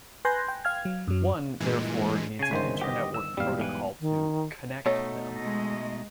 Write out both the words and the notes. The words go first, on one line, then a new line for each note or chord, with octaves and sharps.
One, therefore, needs an inter-network protocol to "connect" them.
B4 G#5 C6 F#6 G6 A#6
G5
F5 F6 G#6
F#3
F#2 F#3
G2 A#2 E3 G#3
C#3 G#5
G1 D#3 B3 C5 E5 B6
G4 B4 D#5 F#5
E6
B1 E2 G#2 G3 F5
E3 B4
D#3
B2 A3 D#4 C#5
G#3 D#5